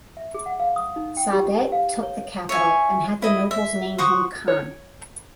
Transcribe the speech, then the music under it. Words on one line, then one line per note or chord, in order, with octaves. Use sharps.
Saadet took the capital and had the nobles name him khan.
E5
G#4
F#5
F5
D#6
D#4
G5
G4
F5
C#5
C#5 E5 G#5
E4 D#5
E5
C5 F#5 C#6 D#6
C#5